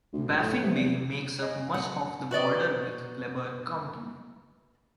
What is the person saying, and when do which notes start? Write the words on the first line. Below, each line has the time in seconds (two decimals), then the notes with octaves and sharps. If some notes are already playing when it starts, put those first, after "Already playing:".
Baffin Bay makes up much of the border with Kleberg County.
0.13 D2
0.29 F1
0.40 A2
0.63 C3
0.75 E2
1.40 G#4 D#5
1.74 F#3 A3 C4 F#5
2.31 F#4 B4 D5 D#5